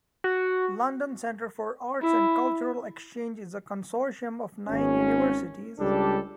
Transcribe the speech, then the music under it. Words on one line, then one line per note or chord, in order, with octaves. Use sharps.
London Centre for Arts and Cultural Exchange is a consortium of nine universities.
F#4
E4
G#1 C#4
C#2 G3 D4 G4 A4